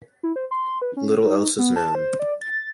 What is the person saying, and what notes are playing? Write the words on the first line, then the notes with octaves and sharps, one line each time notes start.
Little else is known.
E4
C5
C6
B4
C#4
D#4
B3
A5
C5
D5
A6